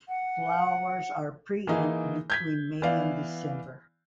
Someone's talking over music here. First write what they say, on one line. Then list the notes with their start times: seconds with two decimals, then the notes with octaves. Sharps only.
Flowers are preent between May and December.
0.08 F#5
1.67 E3 A#3 D#4 G#4
2.30 G6 G#6 B6
2.82 E3 B3 D5 F5